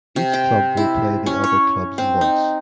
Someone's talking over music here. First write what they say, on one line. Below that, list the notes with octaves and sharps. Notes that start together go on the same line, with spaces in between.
Each club will play the other clubs once.
C3
G5
E4
C#4
C#5
C4
D#4